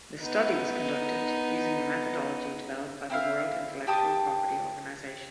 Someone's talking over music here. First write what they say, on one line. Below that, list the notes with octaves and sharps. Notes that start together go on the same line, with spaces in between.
The study was conducted using a methodology developed by the World Intellectual Property Organization.
B3 D#4
C4 E4 F5
G4 G5 A5 D#6